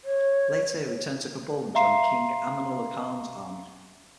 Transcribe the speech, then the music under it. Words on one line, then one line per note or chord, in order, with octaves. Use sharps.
Later, he returned to Kabul and joined King Amanullah Khan's army.
C#5
E5 F5 A#5 C6 C7